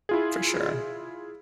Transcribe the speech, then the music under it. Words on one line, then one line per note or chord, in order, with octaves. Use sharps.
For sure.
E4 F4 G#4